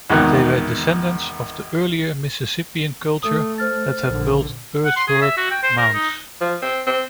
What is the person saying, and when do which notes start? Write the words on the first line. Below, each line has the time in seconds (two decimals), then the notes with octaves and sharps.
They were descendants of the earlier Mississippian culture that had built earthwork mounds.
0.10 G#1 E2 C3 D#3 D#4 F#6
3.23 A3 D#6
3.58 C5 F6 A6
4.05 A#1 D3
4.85 F#5
4.96 C6
5.08 G#4
5.21 E5
5.37 F#4
5.51 G5
5.63 C5
5.78 A#4
5.94 D#4
6.41 F3
6.62 C4
6.86 C4